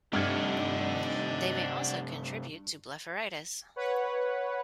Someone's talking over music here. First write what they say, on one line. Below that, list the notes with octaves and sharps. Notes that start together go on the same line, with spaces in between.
They may also contribute to blepharitis.
G2 C3 A3 D#4 D5 F#5 F6 G#6
B4 C#5 F#5